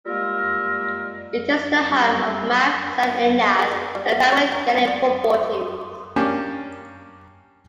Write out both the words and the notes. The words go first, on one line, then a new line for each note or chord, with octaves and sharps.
It is the home of Omagh Saint Enda's and the Tyrone Gaelic football teams.
G3 G#3 A#3 F4 A#4 E5
G3 C4
G#4
D4
G3
B3
C#5
A#5
C#5
D5
A#3 C#4 D4 G4